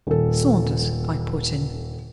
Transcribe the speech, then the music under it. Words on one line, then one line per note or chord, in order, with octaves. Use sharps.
"Saunders," I put in.
D#1 A4